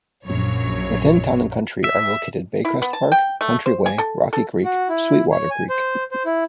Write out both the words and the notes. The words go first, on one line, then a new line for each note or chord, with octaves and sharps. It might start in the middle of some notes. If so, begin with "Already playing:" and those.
Within Town 'n' Country are located Bay Crest Park, Countryway, Rocky Creek, Sweetwater Creek.
A#1 F#2 F#3 C#5
E5
E4
B3
A5
G5
A3
C5
G#5
A4
A4
F#4
E4
C#5
G#5
C5
C5
E4